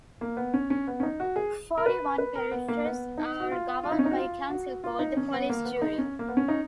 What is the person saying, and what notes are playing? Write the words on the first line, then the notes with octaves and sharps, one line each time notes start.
Forty-one parishes are governed by a council called the Police Jury.
A#3
B3
C#4
C#4
B3
C#4
D#4
F#4
G#4
A#4
B4
B4
A#4
B3
A#3
B3
D#4
F#4
F4
F4
D#4
C#4
D#4
F#4
F4
F#4
F4
D#4
C#4
B3
A#3
B3
D#4
C#4
A#3
B3
C#4
D#4